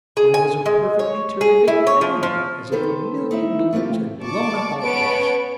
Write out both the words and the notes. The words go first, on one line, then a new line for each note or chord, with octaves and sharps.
There was a perfectly terrific bang! as if a million balloons had blown up all at once.
G#4
G#5
G#3
C#5
G#4
E4
C#5
F3
F3
D#3 B3 A4 C5
D#4 E4 E5
A3 A#3 C4 F4 G4
D5 A5 C#6 D6
B3 C#4 B4 A5 C#6 D7